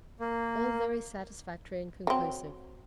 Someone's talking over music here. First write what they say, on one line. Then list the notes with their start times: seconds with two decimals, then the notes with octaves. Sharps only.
All very satisfactory and conclusive.
0.20 A#3
2.07 F#3 C4